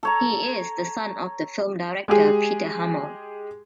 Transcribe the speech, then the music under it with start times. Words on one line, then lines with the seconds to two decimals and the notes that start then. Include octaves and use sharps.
He is the son of the film director Peter Hamel.
0.03 A4 C#5 A#5
2.08 G#3 G4 G#4